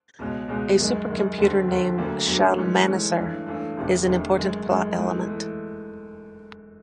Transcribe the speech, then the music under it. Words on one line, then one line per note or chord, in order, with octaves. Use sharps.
A supercomputer named Shalmaneser is an important plot element.
C#2 B2 G#3 C#4
C#2 B2 G#3 C#4
F#2 D#3 G#3
F#2 D#3 G#3
D#2 D3 G3 C4
D#2 D3 G3 C4
D2 D3 F#3 A#3
D2 D3 F#3 A#3
G#2 E3 A3 C#4
G#2 E3 A3 C#4
G2 E3 A3 C#4
G2 E3 A3 C#4
E1 D2 C3 D#3
E1 D2 C3 D#3
F#2 D#3 G#3
F#2 D#3 G#3
G#2 E3 A3
E3 A3